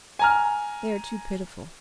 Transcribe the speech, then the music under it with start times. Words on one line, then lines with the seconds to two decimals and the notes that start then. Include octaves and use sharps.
They are too pitiful.
0.19 G#5 A#5 F6